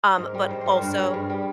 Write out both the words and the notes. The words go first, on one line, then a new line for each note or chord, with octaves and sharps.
Um, but also
G#2 A#4
G3 A#4
G#2 C5
G3 C5
A#4 C5
G2 A#4
A#4
G3
G#4
G2
G3